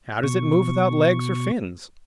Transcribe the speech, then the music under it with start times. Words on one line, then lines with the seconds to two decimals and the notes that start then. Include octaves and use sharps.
How does it move without legs or fins?
0.23 B2 C#6